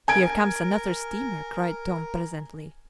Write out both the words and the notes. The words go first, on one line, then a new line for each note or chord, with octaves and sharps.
"Here comes another steamer!" cried Tom presently.
A#4 G#5 G#6 D7